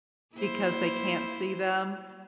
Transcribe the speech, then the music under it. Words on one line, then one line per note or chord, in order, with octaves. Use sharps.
because they can't see them,
A#3 E4 C5